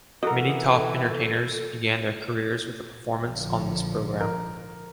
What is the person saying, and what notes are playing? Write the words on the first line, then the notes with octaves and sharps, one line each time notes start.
Many top entertainers began their careers with a performance on this programme.
E3 F#4 A4 A#4 D#5
A#1 D3 F3
A#4